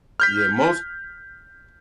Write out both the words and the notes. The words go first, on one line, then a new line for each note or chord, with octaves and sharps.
Yeah, most
F6 G6 B6